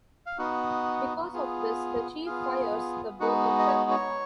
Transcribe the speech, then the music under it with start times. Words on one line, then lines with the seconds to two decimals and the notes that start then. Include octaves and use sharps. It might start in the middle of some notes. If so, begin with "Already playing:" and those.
Because of this, the chief fires the both of them.
0.26 F5
0.38 B3 D#4 F#4 F#5
1.33 B3 F4 G#4
2.26 B3 F4 G#4 F5
3.20 G#3 B3 D#4 F#4 F#5
3.59 D#5
3.68 C#5
3.91 C#5